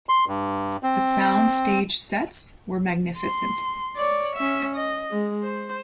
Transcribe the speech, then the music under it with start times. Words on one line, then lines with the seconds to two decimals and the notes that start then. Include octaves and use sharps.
The soundstage sets were magnificent.
0.09 C6
0.27 G2
0.83 C4
3.18 C6
3.96 C#5 D5
4.36 C#4 E5
4.76 D#5
5.11 G#3
5.43 C5